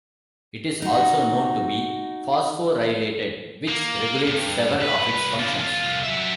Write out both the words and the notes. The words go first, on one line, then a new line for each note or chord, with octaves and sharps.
It is also known to be phosphorylated which regulates several of its functions.
D#4 F#4
A#3
G2
C2 B4
D3 F4
C2 F4
F#3 E5